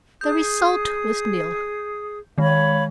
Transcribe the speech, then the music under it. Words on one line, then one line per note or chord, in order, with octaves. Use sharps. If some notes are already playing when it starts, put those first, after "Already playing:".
The result was nil.
G#4 D#6 G6
D#3 G#3 C#5 F5 B5